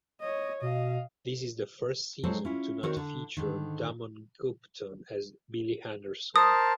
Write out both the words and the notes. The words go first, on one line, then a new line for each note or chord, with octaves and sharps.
This is the first season to not feature Damon Gupton as Billy Henderson.
C#5 D#5
B2 D#5 F5
F#3 G#3 C4 A4 C5 A5
C#4 E4 F4
D#3 C4 F#4 A#4 C#5
D3
G#2 D3 D#3
A#4 C5 A5 D#6